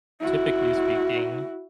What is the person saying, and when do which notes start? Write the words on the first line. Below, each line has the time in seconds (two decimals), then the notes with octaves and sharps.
typically speaking,
0.22 E4 F#4